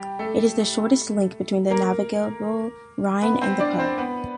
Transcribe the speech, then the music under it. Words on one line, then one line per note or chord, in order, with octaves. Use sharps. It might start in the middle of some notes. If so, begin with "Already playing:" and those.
It is the shortest link between the navigable Rhine and the Po.
Already playing: G3 G4
A3 A4
A#3 A#4
B3 B4
C4 C5
D4 D5
C4 C5
B3 B4